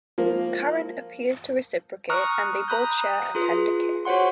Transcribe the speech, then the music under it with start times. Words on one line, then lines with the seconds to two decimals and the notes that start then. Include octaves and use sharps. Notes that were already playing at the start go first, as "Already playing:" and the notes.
Karen appears to reciprocate and they both share a tender kiss.
0.18 F3 A#3
2.10 A#5 C#6 D#6 F6 F#6
2.68 A#5 B5 D#6 F#6 G6
3.35 F4 G#4 B4
4.05 F#4 C5 C#5 F#5 C6